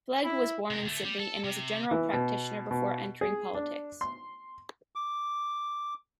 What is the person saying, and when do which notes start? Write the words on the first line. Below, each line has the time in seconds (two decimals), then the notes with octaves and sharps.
Flegg was born in Sydney and was a general practitioner before entering politics.
0.23 E4
0.70 C3 A#4
0.85 D2 A3
1.04 G3
1.19 A4
1.44 C3
1.91 E3
2.13 B2
2.71 B2
3.21 G#4
3.55 D4
4.01 C6
4.95 D6